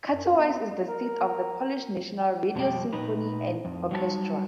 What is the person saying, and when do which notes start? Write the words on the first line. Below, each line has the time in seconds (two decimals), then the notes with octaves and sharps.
Katowice is the seat of the Polish National Radio Symphony and Orchestra.
0.11 F#2
0.37 B3
0.87 A#4
2.56 F2 B2 G3 G#3 D5 G5
2.93 A#2 D#4 B4
3.65 F2
3.91 F#3 G3 D#4 F#4 C#5 A5